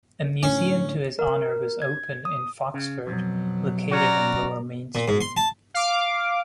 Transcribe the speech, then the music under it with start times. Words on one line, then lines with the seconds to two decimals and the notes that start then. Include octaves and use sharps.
A museum to his honour was open in Foxford, located in Lower Main Street.
0.43 A2 D3 C#4
1.19 A#4
1.82 G#6
2.25 D#6
2.74 C#3
3.07 F2 B2 F#3
3.91 C#4 F#4 D5 A#5
4.95 A#2
5.08 G#2
5.21 C6
5.37 A5
5.74 F5 D6